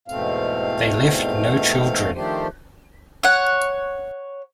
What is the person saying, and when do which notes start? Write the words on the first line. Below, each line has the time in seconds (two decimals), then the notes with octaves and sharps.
They left no children.
0.08 E2 G#2 B2 A3 C4 F5
2.14 D#3 F3 A3 D4 G4 C5
3.23 C#5 F#5